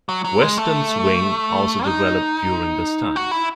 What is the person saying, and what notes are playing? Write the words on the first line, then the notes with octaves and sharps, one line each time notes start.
Western swing also developed during this time.
F#3
F#3
G#3
A3
D#4
F#4
E4